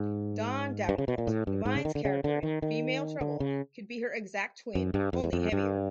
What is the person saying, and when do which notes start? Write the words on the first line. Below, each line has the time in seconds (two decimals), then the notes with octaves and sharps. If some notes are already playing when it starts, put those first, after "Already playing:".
Dawn Davenport, Divine's character in "Female Trouble", could be her exact twin, only heavier.
Already playing: G#2
0.89 G2
0.98 C#3
1.08 B2
1.18 A#2
1.27 A2
1.47 G2
1.65 G#2
1.75 C#3
1.85 D#3
1.95 D3
2.05 C#3
2.24 D3
2.43 D#3
2.62 D#3
3.21 D3
3.40 C#3
4.75 F#2
4.94 G2
5.13 F2
5.24 E2
5.33 F2
5.52 G2